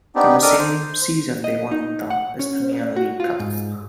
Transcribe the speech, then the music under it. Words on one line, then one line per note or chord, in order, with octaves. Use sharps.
In the same season they won the Isthmian League Cup.
B3 C4 D4 D#4 G4
D4 A4 A#4 D#5 D6 F6
C5
D#5
D#4
F#5
C#4
F#4
F4
G#2